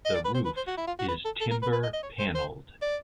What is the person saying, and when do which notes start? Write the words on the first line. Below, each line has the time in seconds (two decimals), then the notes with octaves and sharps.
The roof is timber panelled.
0.05 D#5
0.14 D5
0.25 B4
0.35 C5
0.45 B4
0.57 C5
0.67 F#4
0.77 E4
0.87 F4
0.99 F#4
1.08 B4
1.25 A4
1.41 A4
1.51 A#4
1.62 B4
1.73 B4
1.83 D#5
1.93 D#5
2.03 C#5
2.19 C5
2.35 C5
2.82 D5